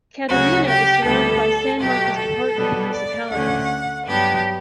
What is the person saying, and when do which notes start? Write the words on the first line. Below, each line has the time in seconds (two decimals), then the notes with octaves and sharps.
Catarina is surrounded by San Marcos Department municipalities.
0.29 D2 C#3 F#3 C#4 F#4
0.67 G4
1.04 D2 D3 G3 B3 A4
1.80 B2 F#3 A3 G4
2.17 A4
2.55 B2 G3 B3 D4
2.93 D5
3.30 D2 D3 A3 C#4 F#5
4.05 G2 F#3 B3 D4 G4